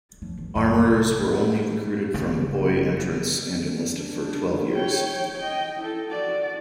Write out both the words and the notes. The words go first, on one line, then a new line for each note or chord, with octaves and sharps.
Armourers were only recruited from boy entrants and enlisted for twelve years.
F3
G1
F#2
C2
G1 C#3 A3
D4
C#5 G5
D#5 G5
E4 A4
F#4 D5